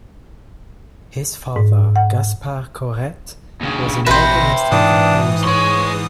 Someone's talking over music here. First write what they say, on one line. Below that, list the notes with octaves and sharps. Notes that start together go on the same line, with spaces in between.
His father, Gaspard Corrette, was an organist and composer.
G#2
F#5
D#2 C#3
A1 B2 B4 C5 E5 G5 A#6
G#2 E3 D4 D#6
G#4 C#5 C6